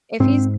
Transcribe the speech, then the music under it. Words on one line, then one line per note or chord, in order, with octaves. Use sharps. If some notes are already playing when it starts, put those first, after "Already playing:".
if he's
G#2 C4